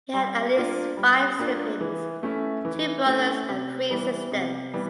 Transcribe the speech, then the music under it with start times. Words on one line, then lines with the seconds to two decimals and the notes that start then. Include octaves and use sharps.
He had at least five siblings: two brothers and three sisters.
0.14 G3
0.55 A#3 D4 F4
0.97 G3
1.39 A#3 D4 F4
1.81 E3
2.23 A3 C#4 E4
2.65 E3
3.06 A3 C#4 E4
3.48 C3
3.90 E3 G3 B3
4.32 C3
4.74 E3 G3 B3